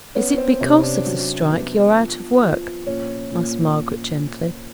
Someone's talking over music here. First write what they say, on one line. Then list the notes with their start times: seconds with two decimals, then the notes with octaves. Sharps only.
'Is it because of the strike you're out of work?' asked Margaret gently.
0.15 B3 C#4
0.38 C4
0.60 C3 C#4
0.83 D4
1.06 F#3
1.51 B3
1.96 F3
2.42 F3
2.87 A#2 C#4
3.32 A#2